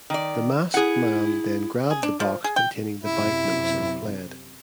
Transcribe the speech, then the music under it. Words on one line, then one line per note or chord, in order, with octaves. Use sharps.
The masked man then grabbed the box containing the bank notes and fled.
D#3 D5
E4 G#4 F#5
G#4
D4
F3
G#4
G5
F#2 C3 E4